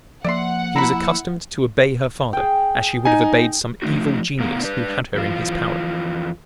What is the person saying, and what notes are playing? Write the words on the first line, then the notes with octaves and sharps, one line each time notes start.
She was accustomed to obey her father as she would have obeyed some evil genius who had her in his power.
F3 A#3 D5 E5 F#5 C6
E4 A#5 B5
G#4 G5
D#4 G#5
F3 A3 D#4 F#4
A2 C3 B3 A#4 F5 A#5
D4 B4
F2 E3 F4